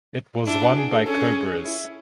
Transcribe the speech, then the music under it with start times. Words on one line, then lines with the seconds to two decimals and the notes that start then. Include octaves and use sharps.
It was won by Cobras.
0.47 D4 E4
0.62 F#4
0.76 G#4
0.92 A4
1.06 C#4 A4
1.20 G#4
1.65 E4